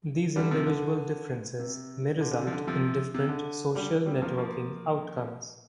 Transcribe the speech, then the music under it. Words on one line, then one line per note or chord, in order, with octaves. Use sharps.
These individual differences may result in different social networking outcomes.
D3 G3
C3 F3
D3
C3
D3
D3
C3
F3
D3
C3 F3
C3
D3
D3 G3
G3 C4
F3 A#3
F3 A#3